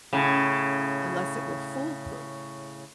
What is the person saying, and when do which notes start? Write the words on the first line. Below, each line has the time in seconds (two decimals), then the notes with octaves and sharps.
unless it were foolproof.
0.13 A2 C#3